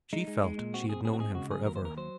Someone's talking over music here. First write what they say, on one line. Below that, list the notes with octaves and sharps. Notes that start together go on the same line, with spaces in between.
She felt she had known him for ever.
G#3 D#4
G#3
G#3
A#2
C4 F#4
A#2 G#4
C4 G#4
F#4
G#3 G#4
C#3 F#4
F#3 G#4
D#2 A#4
C5
D#2 A#4
F#3 C5